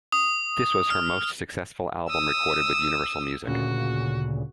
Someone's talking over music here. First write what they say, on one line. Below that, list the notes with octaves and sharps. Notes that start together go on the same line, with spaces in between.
This was her most successful album recorded with Universal Music.
D#6
F6
D#6 E6
D2 A#2 C#3 F#4